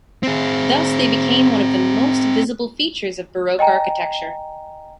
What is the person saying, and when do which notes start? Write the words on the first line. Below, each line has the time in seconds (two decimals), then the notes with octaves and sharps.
Thus they became one of the most visible features of Baroque architecture.
0.23 C4 G#4
3.59 D#5 G5 G#5 A#5